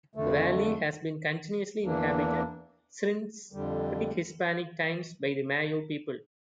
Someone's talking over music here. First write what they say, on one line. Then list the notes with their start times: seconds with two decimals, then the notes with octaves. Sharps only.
The valley has been continuously inhabited since pre-Hispanic times by the Mayo people.
0.15 F2 D3 A3
1.84 E2 E3 A#3 D4
3.52 F2 D3 G3